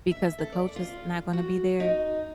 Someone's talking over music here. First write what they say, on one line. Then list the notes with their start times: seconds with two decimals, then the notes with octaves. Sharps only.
Because the coach is not gonna be there?
0.11 E5
0.39 A4
0.52 D5
0.76 F4
1.33 F#4
1.80 D#4